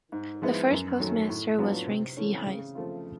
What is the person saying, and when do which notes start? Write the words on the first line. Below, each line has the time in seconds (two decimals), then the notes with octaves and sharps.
The first postmaster was Frank C. Hise.
0.12 G#2
0.42 F3 G#3 B3 E4
0.71 F#2
1.00 D#3 F#3 A3
1.29 A2
1.59 F#3 B3 D4 F4
1.87 C3
2.17 E3 A3 C#4
2.46 C#3
2.75 F3 A3 C4 F4